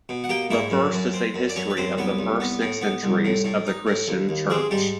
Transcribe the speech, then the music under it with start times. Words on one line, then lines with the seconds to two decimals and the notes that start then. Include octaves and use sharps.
The first is a history of the first six centuries of the Christian Church.
0.09 B2
0.24 F#5
0.29 A#3 G4 G5
0.50 G#2 E4 E5
0.71 F#2
0.93 F#2
1.13 C4
1.34 F#2
1.49 D5
1.56 F#2 C#4 C#5
1.70 B4
1.77 F#2 C4 C5
1.98 C2 B3 B4
2.19 C2
2.40 B3
2.62 A2
2.82 B3
3.03 C2
3.25 A2
3.45 A2
3.67 D#4
3.87 A2
4.08 D#2
4.29 D#2
4.50 G#3 C4 G#4
4.71 G#2 G3 G4